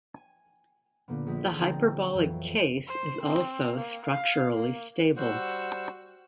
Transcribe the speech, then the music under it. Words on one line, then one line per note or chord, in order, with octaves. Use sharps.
The hyperbolic case is also "structurally stable".
G#5
A#2 D3 A#3 B3
A#1 G#3 G#4 B6
A#1 D3 C4 D#5 A#5 A6
F2 E3 F#3
C5
C4
A#3
F5
A#3
G3 F#4 C5 F#5 E6